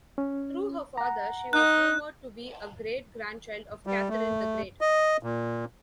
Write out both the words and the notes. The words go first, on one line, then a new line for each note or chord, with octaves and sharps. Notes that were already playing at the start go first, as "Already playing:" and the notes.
Through her father she was rumoured to be a great-grandchild of Catherine the Great.
C#4
F#5 A#5
D#4 F#6
G3
A3
D#5
A#2